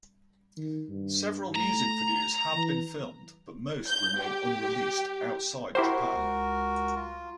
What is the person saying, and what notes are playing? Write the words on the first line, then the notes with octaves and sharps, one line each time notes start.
Several music videos have been filmed, but most remain unreleased outside Japan.
D#3
G2
A3 A#5
E3
G6
G4
E4 F#4 G4 A#4 C5
C#2
F4